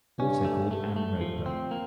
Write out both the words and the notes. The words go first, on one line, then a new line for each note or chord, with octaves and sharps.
Also called Anne Roper.
G2 C#4
A3
A3
A3
F3
C4
A#3